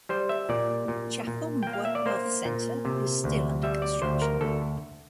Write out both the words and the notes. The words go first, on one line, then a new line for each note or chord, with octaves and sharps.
Chafumbwa health centre is still under construction.
G3 C5
E5
A#2 D5
A#2
A#2
A#3 G5
F5
E5
D5
A#3 C5
A#2
C3
D2
G3 E5
D5
D2 C5
A#4
D2 A4